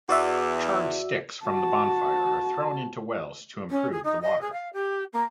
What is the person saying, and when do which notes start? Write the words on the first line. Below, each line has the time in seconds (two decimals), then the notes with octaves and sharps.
Charred sticks from the bonfire are thrown into wells to improve the water.
0.09 E2 F#4 D5 E5
1.45 F#4 A5
3.70 C#4
3.91 G#4
4.04 D#4
4.21 D#5
4.41 G#4
4.52 F5
4.73 G4
5.13 A#3